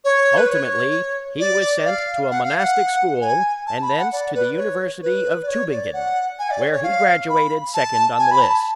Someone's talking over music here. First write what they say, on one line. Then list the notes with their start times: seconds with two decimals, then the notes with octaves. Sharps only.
Ultimately he was sent to a monastic school and thence to the University of Tuebingen, where he graduated second on the list.
0.04 C#5
0.37 B4
0.50 C#5
1.40 D5
1.85 F5
2.31 F#5
2.43 F5
2.58 F#5
3.21 G#5
3.67 A5
3.82 B5
3.97 F#5
4.12 D5
4.35 B4
4.57 C#5
5.03 B4
5.43 D5
5.48 C#5
5.71 D5
5.93 F#5
6.39 G#5
6.50 D5
6.61 C#5
6.72 C#5
6.83 F5
7.29 B5
7.74 A5
8.19 G#5
8.31 B5
8.43 A5